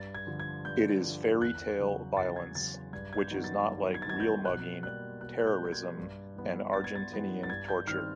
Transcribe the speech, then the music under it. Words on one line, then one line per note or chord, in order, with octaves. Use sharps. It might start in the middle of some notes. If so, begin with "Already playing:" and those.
It is fairy-tale violence, which is not like real mugging, terrorism and Argentinean torture.
Already playing: G2 A6
G#6
D3 F3
G#6
G2 G6
D3 F3
E2 F#6
C#3 F#3
E2 A6
G#6
C#3 F#3 A6
G2 G#6
G#6
G6
D#3 F#3 B3 D#4
A6
G2
G#6
A6
D#3 F#3 B3 D#4 G#6
G6
B2 F#6
G3 A#3 F#6
B2 F#6
F#6
G6
G3 A#3 G6
G#6
G2
E3 G3 B3 D4
G2 A6
G#6
A6
E3 G3 B3 D4
A6
G2 G#6
G6
D#3 G3 C4 F6